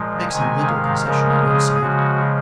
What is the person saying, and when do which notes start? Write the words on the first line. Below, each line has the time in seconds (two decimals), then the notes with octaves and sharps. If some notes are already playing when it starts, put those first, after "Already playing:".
Make some little concession on your side.
Already playing: A#2 F3 G#3
0.28 C3 D#3 G#3 G#5
0.66 F5
1.04 C#3 F3 G#3 A#4
1.42 G#4
1.80 C#3 F3 G#3 F#4